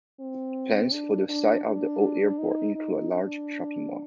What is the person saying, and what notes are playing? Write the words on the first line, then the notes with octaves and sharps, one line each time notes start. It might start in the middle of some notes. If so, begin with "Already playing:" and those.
Plans for the site of the old airport include a large shopping mall.
C4
D4
D4
D4
D#4
D#4
D4